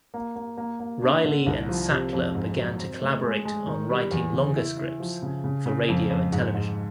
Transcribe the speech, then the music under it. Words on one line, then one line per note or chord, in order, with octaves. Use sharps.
Reilly and Sattler began to collaborate on writing longer scripts for radio and television.
A#3
A#3
A#3
A#3
D4
D3
C2
F3
C3
F2
G#2
F#3
C4
A3
G#3
G#3
D#3
G3
E2
C#3
E4
E4
F3
C#3
C#3
C#3
F2
F2
G#2
G#2